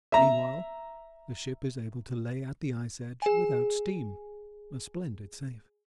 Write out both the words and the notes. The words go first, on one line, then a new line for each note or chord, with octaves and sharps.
Meanwhile the ship is able to lay at the ice edge without steam; a splendid saving.
E5 A#5
G#4 G#5